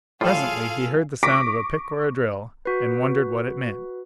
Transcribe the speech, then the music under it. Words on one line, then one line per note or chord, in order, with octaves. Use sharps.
Presently he heard the sound of a pick or a drill, and wondered, what it meant.
A2 F3 G3 F4 G#4 A4 F5
C#6 D6 A#6 B6 D7
F#4 B4